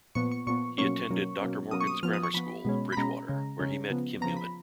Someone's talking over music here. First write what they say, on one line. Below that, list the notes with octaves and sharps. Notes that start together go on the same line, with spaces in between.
He attended Doctor Morgan's Grammar School, Bridgwater where he met Kim Newman.
A#2 F3 B3 C#6
C#6
A#2 F3 B3 C#6
B2 F#3 A#3 C#4 C#6
B2 F#3 A#3 C#4
B2 F#3 A#3 C#4
B2 F#3 A#3 C#4 D#6
C#6
D#6
F3 B3 F6
D#6
C#6
F3 B3 B5
B2 G#3 C#4
B5
B2 G#3 C#4 A#5
C#3 G#3 C#4
C#3 G#3 C#4
C#3 F3 B3
C#3 F3 B3 A#5
B5